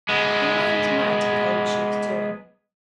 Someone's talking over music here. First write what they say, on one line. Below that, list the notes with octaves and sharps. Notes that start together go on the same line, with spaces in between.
Your mother is mad to behave as she is doing.
G#3 B3